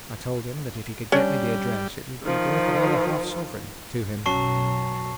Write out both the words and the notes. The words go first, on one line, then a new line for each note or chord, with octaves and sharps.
I told him that if he could get me the address it would be worth another half-sovereign to him.
G3 C#4 D4
D#3 F3
B1 F#2 F#3 A5 C#6 C7 G7